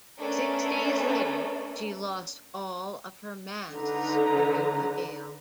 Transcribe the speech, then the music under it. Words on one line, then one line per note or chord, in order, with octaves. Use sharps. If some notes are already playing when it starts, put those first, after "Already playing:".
Six days later she lost all of her masts during a gale.
A3 B3 C#4 D4 A4 A#4
D3 D#4 B4 A#5